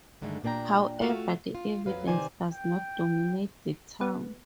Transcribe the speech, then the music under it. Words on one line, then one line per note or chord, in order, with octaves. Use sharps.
However the evidence does not dominate the town.
G2 D3 D#3 G#3 A3
A#2 A#3 D4 G5 A#5
A3 F4 F#4 E5 F5
F4
F2 F#3 B4 F5
C3 D#3 C5 D5 G#5
G5
B3